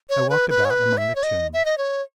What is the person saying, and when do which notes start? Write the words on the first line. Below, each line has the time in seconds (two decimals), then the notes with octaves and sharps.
I walked about among the tombs.
0.09 C#5
0.30 B4
0.50 B4
0.65 C#5
0.70 B4
0.97 E5
1.15 C#5
1.23 D#5
1.53 E5
1.65 D#5
1.78 C#5